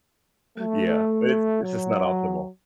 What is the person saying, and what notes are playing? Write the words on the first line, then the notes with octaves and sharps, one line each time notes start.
Yeah. But it's it's just not optimal.
A3
F#3